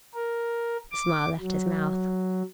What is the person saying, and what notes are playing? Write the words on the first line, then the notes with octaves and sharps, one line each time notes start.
The smile left his mouth.
A#4
D6
F#3